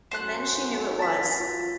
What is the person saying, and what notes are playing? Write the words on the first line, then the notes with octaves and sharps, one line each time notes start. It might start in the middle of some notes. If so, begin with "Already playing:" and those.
And then she knew it was.
F#2 C5 F#6
A5 A6 B6
F4